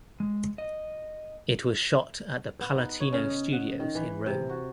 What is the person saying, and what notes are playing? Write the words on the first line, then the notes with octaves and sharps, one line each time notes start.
It was shot at the Palatino Studios in Rome.
G#3
D#5
B3
D#4
C#5
C#3
D#5
F#5
D#3
E3
C3
F#4